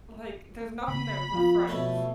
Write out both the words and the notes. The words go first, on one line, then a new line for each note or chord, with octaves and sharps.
like, "There's nothing there, we're friends."
C#3 A#3 B3 B5
F3 B3 F4
B2 A3 A4 C#5